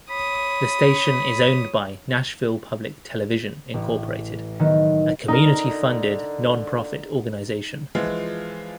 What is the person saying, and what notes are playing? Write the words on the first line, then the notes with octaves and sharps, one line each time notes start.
The station is owned by Nashville Public Television, Incorporated a community-funded, nonprofit organization.
C#5 B5 D#6
A1
D#3 F#3 B3
D3 D#4 A#4
E3 F3 G#3 F4